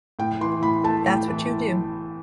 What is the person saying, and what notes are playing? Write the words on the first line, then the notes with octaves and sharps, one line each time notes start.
That's what you do.
A2 G5
E3 C6
A2 B5
A3 A5
A2 G5
E3